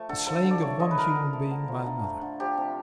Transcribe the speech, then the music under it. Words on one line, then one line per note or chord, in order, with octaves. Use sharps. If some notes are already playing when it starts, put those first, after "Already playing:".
The slaying of one human being by another.
Already playing: F3 A3
D3 A4
F3 A4
D3
D5
A3 C#5
D3 D#5
B4
F3 A#4
D3
A3
D3
F3
D3
A3
D3
F3 G4
C3